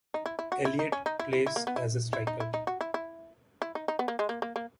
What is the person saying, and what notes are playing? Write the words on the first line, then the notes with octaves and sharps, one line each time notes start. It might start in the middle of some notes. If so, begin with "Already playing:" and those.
Elliott plays as a striker.
D#4
E4
E4
F#4
E4
D#4
C#4
D#4
E4
E4
E4
A#3
B3
E4
E4
D#4
E4
D#4
F#4
E4
E4
E4
D#4
D#4
B3
A#3
G#3
A#3
A#3
A#3